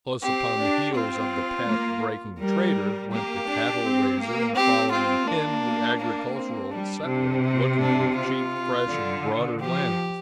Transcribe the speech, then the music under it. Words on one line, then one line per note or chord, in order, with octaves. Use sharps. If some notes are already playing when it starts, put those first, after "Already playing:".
Close upon the heels of the path-breaking trader, went the cattle-raiser, and, following him, the agricultural settler looking for cheap, fresh, and broader lands.
C4 G4
D4
C4 F4
A#3
G3 A#4
A#3 G4
D4
C4
A#3
C4 G4
C4 F4
A#3 D4
D4
C4
G3 D4
C3
C4
D4
F4
D3
F3 G4